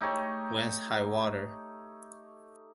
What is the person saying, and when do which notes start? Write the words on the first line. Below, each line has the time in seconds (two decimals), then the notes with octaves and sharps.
When's high water?
0.01 A3 D#4 G4 C#5